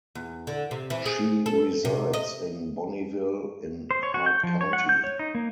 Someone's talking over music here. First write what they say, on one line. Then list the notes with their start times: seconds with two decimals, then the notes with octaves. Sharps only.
She resides in Bonnieville in Hart County.
0.15 E2
0.47 D3
0.71 C3
0.90 E3
1.06 G#4
1.46 A4
1.85 C3
2.13 D#5
3.91 C5
4.03 C#5
4.14 F#4
4.26 G6
4.43 F3
4.61 C#5
4.73 F#5
4.89 G6
5.04 C#5
5.19 D#4
5.35 A#3